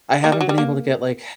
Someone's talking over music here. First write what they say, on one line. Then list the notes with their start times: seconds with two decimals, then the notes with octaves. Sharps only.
I haven't been able to get, like,
0.24 A#3
0.32 G3
0.41 F#3
0.49 G3
0.58 A#3